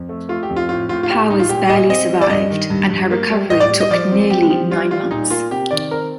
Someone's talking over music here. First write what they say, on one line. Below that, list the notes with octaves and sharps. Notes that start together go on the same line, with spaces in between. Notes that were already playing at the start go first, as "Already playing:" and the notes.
Powers barely survived, and her recovery took nearly nine months.
Already playing: F2
A3
A3 F4
G4
F2
F4
A2 F4
A2 F4
F4
A2 G4
A2 D#4
F4
A#2 G4
A#2 D#5
C4 D#5
G3
D5
G2 D#5
D#3
G2
G2
A#3
G3
A2 D#5
D5
G3
D#5
F3 D5
C4
C4 G4
F3
G3 F4
G3 F4
A#2 D#4
A#3 F4
C3 G4
D#3 D5
C4 A#4